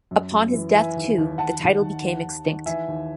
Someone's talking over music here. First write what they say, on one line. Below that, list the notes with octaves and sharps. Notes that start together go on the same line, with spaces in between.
Upon his death, too, the title became extinct.
F#2
F#2
E3
E3 E5 G#5
D#2
D#2
D#2 F#5 A5
D#2
D#3
D#2
D#2
D#3
E3 E5 G#5
D#2